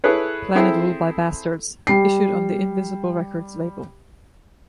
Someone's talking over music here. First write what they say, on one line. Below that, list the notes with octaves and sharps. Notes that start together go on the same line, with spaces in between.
Planet Ruled By Bastards, issued on the Invisible Records label.
E4 G#4 A4 B4 C#5
C4 E4 G#4 A4 C5
G3 C7